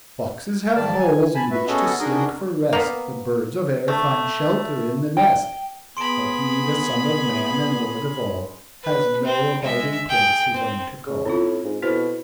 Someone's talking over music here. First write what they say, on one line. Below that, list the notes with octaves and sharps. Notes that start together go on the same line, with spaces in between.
Foxes have holes, in which to slink for rest, The birds of air find shelter in the nest; But He, the Son of Man and Lord of all, Has no abiding place His own to call.
G#2 D#3 D5 A5
G#5
G#5 A5 B5
F#4 B4 E5
B3 C#4 F#4 G#4 A4 D#5
D4 D#4 F#4 G#4 A#4 D#5
A#3 B3
A3
G5
B3 G#4 B5 C6 D7
B4
C4
G#3 E5
G#4 G5
C4
C#3
A2 C4 C#4 F4
G#2
B2 E4 A4 C5